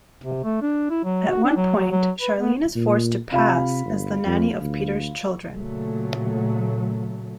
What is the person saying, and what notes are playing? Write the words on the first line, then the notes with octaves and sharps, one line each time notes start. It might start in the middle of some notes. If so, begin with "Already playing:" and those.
At one point, Charlene is forced to "pass" as the nanny of Peter's children.
C3
A3
D4
E4
F#3
F#4
D4
F#3
F#3
F#3
B4
B3
A#2
C3 F4 F5 B5
G1
F2
D2
A#2 C#3 F#3 A3